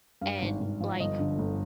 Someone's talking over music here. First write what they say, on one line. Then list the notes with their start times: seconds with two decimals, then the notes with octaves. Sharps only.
and, like,
0.21 G2 F5
0.42 G#1
0.60 G#1
0.80 F3
1.00 G1 D#5
1.19 D3
1.39 G1